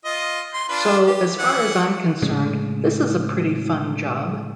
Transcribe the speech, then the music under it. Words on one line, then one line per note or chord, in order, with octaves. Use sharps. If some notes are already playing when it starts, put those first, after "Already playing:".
So, as far as I'm concerned, this is a pretty fun job.
F4 D#5
C6
D4 F4 B4
G4
E3 F#5
A2 C#3 G#3